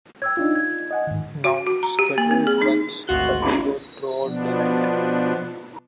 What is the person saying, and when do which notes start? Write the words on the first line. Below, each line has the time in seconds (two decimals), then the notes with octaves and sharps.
Now, scheduled runs continue throughout the night.
0.22 C#5 G5 E6 G#6
0.37 D4 D#4 F4
0.55 G#6
0.91 D#5 F#5 G#5
1.07 G#2 D#3
1.44 F#4
1.67 F#4
1.83 A#5
1.99 G4
2.18 A#3
2.31 C4
2.47 G#4
2.62 D#4
3.07 G#1 D2 F4 F#4 F#6 G6
4.23 B2 F3 B3 D4